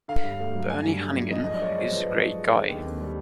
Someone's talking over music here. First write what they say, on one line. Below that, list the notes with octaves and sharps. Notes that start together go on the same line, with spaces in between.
Bernie Hanighen is a great guy.
D3 F5
G2
A3
F#3
D3 G#5
G2
A3
F#3
F3 D#5
G#2 D#5
D5
G#2 C#5
G#3 C5
F3 B4
G#2
G#2
G#3
D3
D#2
C4
G3